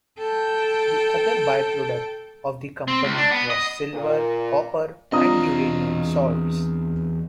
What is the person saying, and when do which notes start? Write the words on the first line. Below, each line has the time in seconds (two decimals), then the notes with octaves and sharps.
The other byproduct of the company was silver, copper, and uranium salts.
0.18 A4 G5
2.88 C4
3.04 C#2
3.17 D4
3.31 B3
3.50 D#5
3.94 A#2 A#4
5.12 E2 C4 D4 F4 D#5 A#5 D#6